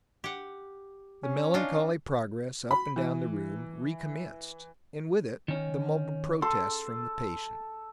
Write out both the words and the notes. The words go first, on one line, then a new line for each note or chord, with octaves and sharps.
The melancholy progress up and down the room re-commenced, and with it the mumbled protests from the patient.
G4 F#5
C#4
D4 D#4 F4
B5
E3
D#3 C#4
A4 C6